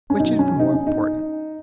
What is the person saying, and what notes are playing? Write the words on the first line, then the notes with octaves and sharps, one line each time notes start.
Which is the more important?
C#4
B2 F#3 D#4
C#4
D#4
C#4
D#4